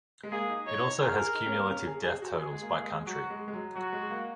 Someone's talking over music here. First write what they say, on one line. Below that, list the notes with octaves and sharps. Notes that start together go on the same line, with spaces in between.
It also has cumulative death totals by country.
G#3
A#3 G#4
D#4
D#4 C#5
D#4
G#4 A#4
G#4
D#4
C#4
A#3
C#4
G#4
G#4
F#4
G#4
G#3
A#3
G#3
F#3 F#4
G#3
G#3
F#3
F#3 F#4
G#3
A#3